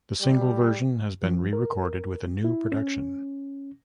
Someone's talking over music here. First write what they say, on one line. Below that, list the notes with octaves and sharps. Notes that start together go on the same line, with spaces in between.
The single version has been re-recorded with a new production.
G3
F3
A#4
E4
C#4